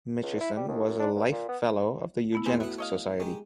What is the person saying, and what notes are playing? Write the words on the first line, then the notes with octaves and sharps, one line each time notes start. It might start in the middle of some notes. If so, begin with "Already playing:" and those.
Mitchison was a Life Fellow of the Eugenics Society.
C#2
E4
G3
D#2
F#2
D4
G2
A#2
B3
A3 B3 E4
E2 G3 G#3 A#3 C4 G#5
A2 A3 B3 F#4 F#5
C#5 D#5 F5
D#3 G#3 G4